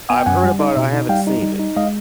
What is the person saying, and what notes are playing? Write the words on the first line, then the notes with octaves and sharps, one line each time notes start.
I've heard about I haven't seen it.
B3 G#5
G5
F#2 F#5 G#5
G3
D#4
B2
D#4
G3 F5 G5
D#4
G3
D#4
G#3 D#5 F5